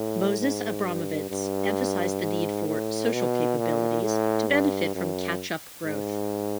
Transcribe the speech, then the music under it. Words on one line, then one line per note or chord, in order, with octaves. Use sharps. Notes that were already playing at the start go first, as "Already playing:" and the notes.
Moses Abramovitz emphasised the need for 'Social Capabilities' to benefit from catch-up growth.
Already playing: A2
G#2
G2
G2
G#2
A2
B2
A#2
A2
G2
F#2
G#2